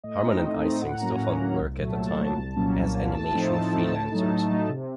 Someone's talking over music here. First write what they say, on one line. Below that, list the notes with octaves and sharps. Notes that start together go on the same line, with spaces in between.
Harman and Ising still found work at the time as animation freelancers.
A2 D#5
A3 C4 D#4
A2
A3 C4 D#4
A2 F#5
A#5
F#3 A#3 C#4
A2
F#3 A#3 C#4
C2
A#2 F#3 A3
C2 A5
A#2 F#3 A3
C2
A#2 F#3 A#3 C#4
C2
A#2 F#3 A#3 C#4
A2 A5
F3 A3 C4 D#4 A5
A2 A5
F3 A3 C4 D#4 A5
A2
F#3 A3 D#4
A2
F#3 A3 D#4
C3